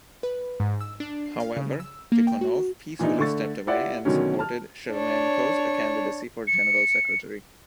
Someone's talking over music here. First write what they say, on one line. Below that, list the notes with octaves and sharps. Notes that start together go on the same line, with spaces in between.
However, Tikhonov peacefully stepped away, and supported Chernenko's candidacy for General Secretary.
B4
G#2
E6
D4
C7
F5
C#3
E6
A#3
G5
F#4
A#2 E3 D4 D#4
D3 A3 C#6 A6
E4 F4 G4 D5 F#5
B2 D3 D#3 F#3 C#4
A5 F6
D4 C#5
C#7